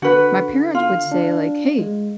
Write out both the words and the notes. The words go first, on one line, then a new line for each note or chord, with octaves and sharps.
my parents would say like, "Hey,
D3 F#4 B4
F4
D4
G#3